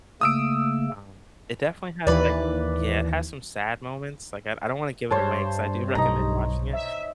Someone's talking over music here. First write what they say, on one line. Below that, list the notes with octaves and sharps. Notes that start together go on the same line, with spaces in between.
um. It definitely has, like Yeah, it has some sad moments, like, I I don't wanna give it away 'cause I do recommend watching it
C#3 A3 A#3 D#6 E6 D7
D#2 E3 B4 D5
G2 C5 C#5 A5
B1 D#4 A#5
E5